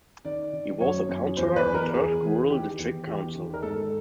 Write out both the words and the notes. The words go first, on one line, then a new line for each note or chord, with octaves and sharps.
He was a councillor on Thirsk Rural District Council.
D#3 D5
D#3
F#2 C#5
F#2
E2 C5
B4
E2
A#4
E2 G#4
E3
D#3 G4
E2
E2 G4
D#3
A#4
G#2 A4